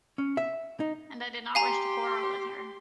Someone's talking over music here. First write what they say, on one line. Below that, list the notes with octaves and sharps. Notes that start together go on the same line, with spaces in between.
And I did not wish to quarrel with her.
C#4
E5
D#4
G4 F5 G#5 A#5 C6